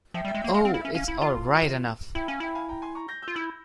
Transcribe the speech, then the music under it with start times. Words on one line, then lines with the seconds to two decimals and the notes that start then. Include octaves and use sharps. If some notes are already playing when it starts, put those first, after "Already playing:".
Oh, it's all right enough!
0.14 F3 E5 G5
0.25 G3
0.28 E5 G5
0.34 G#3
0.41 A#3 E5 G5
0.54 G#3 F5
0.65 C4
0.68 F5
0.74 E4
0.81 C#4 E5
0.95 C#4 F5
1.08 E4
1.22 F4
2.15 E4 E5 G5
2.28 C#4 F5 G#5
2.40 E4 E5 G5
2.55 F5 G#5
2.68 G5 A#5
2.82 G#5 C6
2.95 A#5 C#6
3.08 G6 A#6
3.22 E6 G6
3.28 F4
3.35 E4 E6 G6